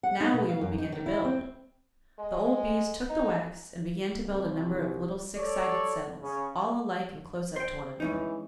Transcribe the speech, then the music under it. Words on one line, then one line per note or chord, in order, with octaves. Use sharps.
"Now we will begin to build." The old Bees took the wax, and began to build a number of little six-sided cells, all alike and close up to one another.
F#5
D#4
B2
F5
F#2
D#4
D#3
E4
C4
G#3
D#4
C2
A4 C#5 D5
C#3 C#4
C5 G5
E3 G#3 C#4 D#4